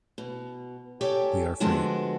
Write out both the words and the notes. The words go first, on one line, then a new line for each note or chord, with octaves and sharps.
We are free.
B2
G4 A4 C#5 D5 G5 G#5
D3 F3 G#3 B3 F#4 A5